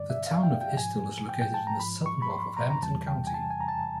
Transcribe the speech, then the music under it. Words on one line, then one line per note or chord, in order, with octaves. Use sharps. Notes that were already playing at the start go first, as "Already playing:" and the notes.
The town of Estill is located in the southern half of Hampton County.
Already playing: G2 D3 G3 D5
E5
F5
G5
G5
G#2 F3 G#5
G5
G5
A5
A#5
G#2 F3 B5
C#6
B5
C6
A#5
A#5
E2 C3 E3 G3 A5
G5
G#5
A5
G#5
A#5
A5